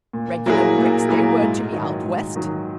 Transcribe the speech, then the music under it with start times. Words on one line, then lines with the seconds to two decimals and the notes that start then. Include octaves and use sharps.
Regular bricks they were to me out West!
0.13 A#2
0.46 F#3 A#3 E4 G#4
0.78 A#2
1.09 F#3 A#3 E4 G#4
1.41 G#2
1.72 D#3 F#3
2.04 G#2
2.36 D#3 F#3